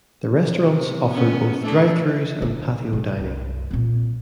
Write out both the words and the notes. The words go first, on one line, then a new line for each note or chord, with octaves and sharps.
The restaurants offered both drive-thrus and patio dining.
C3
B3 C#4
A3 D4 E4
D#4
C3
C2
A#2 C4